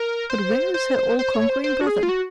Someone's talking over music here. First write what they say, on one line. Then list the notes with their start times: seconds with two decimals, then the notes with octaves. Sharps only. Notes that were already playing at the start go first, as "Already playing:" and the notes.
But where is her all-conquering brother?
Already playing: A#4
0.30 C5
0.74 C5
1.19 C5
1.34 C#5
1.49 C5
1.64 C5
1.81 F#4
1.87 G#4
2.03 F4
2.09 F#4